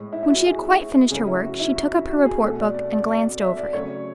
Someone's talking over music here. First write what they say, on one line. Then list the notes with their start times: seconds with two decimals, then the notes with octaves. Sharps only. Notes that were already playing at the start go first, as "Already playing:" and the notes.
When she had quite finished her work she took up her report-book, and glanced over it.
Already playing: A2 G#3
0.13 E4
0.23 E4
0.29 F#4
0.46 G#4
0.67 E4
1.10 C#3 F#3 A3 G#4
1.27 E4
1.44 F#4
1.60 E4
1.76 F#4
1.93 E4
2.09 F#4
2.25 G#4
2.42 B2 A3 A4
2.59 D5
2.74 D5
2.92 D5
3.08 D5
3.25 D5
3.41 E5
3.57 D5
3.73 C#3 F#3 A3 C#5